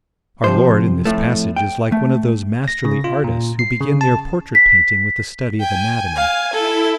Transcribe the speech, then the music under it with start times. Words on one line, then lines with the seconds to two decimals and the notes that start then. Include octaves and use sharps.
Our Lord in this passage is like one of those masterly artists who begin their portrait- painting with the study of anatomy.
0.44 C3 F3 C5
1.05 F2 A2 A3
1.56 G5
1.92 A3
2.68 A#6
2.85 C#3
3.04 F4
3.24 A#2
3.59 C7
3.81 C#3
4.01 A5
4.55 B6
5.60 G5 G#5
6.15 F5
6.53 E4 A4